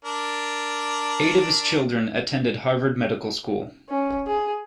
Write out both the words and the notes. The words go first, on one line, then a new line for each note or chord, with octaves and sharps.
Eight of his children attended Harvard Medical School.
D4 A#4
C#4
G#4